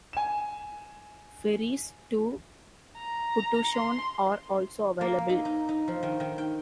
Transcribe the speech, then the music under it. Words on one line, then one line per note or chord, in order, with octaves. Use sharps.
Ferries to Putuoshan are also available.
G#5 E7
A#5
C6
A#3
D#4
D#4
D#4
F3
D#3
D#3
G5